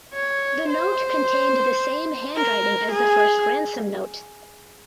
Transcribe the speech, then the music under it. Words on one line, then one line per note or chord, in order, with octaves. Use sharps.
The note contained the same handwriting as the first ransom note.
C#5
C5
A#4
G#4